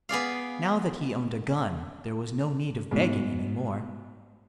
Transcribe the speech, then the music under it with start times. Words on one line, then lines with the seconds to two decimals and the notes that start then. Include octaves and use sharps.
Now that he owned a gun there was no need of begging any more.
0.09 B3 G#4 D5 F5
2.91 G#2 B2